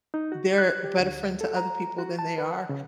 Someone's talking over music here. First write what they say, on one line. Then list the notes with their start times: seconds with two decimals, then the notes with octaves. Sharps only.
they're a better friend to other people than they are
0.14 D#4
0.32 F#4
0.58 F#6
0.84 G4
1.00 D2
1.41 A4
1.56 A#5
1.98 F#4
2.19 A5
2.38 B4
2.53 F#5
2.69 C#3